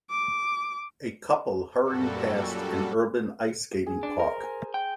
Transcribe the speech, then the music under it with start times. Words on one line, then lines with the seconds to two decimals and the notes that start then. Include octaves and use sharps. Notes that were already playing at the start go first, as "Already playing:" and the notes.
A couple hurrying past an urban ice skating park.
0.10 D6
1.84 F#2 A#2 G3 F#4 A4
3.87 G#4
4.03 D4
4.19 A#4 C5
4.43 G#5
4.74 G5